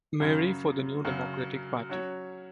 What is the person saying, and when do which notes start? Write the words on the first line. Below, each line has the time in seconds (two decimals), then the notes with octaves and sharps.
Marie for the New Democratic Party.
0.20 F#2 C#3 F#3
1.05 F#2 C#3 F#3
1.89 F#3 C#4 F#4 C#5